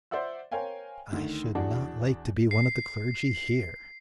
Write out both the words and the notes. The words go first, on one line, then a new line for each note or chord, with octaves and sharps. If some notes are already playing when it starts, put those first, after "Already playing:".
I should not like to be one of the clergy here.
C5 D5 E5 F#5 E6
A#4 C5 C#5 F5 G5 G#5
D2 D#3
E2 D4 F#4 G#4 A5
C7